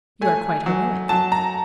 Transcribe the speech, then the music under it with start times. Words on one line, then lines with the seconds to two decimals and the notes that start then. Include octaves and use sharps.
"You are quite heroic."
0.21 A3 G#5
0.66 F#3
1.09 F#3 A5
1.32 A#5